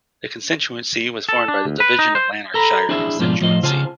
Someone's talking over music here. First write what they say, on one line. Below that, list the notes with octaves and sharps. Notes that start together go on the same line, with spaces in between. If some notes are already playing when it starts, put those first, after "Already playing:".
The constituency was formed by the division of Lanarkshire constituency.
A4
D4
D2
B4
D#4
C5
A4 A#5 B5
D4 E4 G#4 C5 E5
G#2 B2 F3 D4 F4
A2 F3 F4 C5 D#5
C#3 F4 C5 G#5 A5